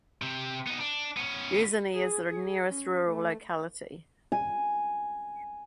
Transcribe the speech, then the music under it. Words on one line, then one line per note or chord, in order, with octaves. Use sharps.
Yuzhny is the nearest rural locality.
C3
B3 D#4
D4
B3 C#4
G#4
G#4
C#4
A3
G#5